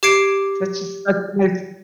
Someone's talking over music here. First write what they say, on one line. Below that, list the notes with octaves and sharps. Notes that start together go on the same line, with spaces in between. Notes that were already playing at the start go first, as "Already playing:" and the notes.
Such a such a nice
G4 D6 G#6 C7 D7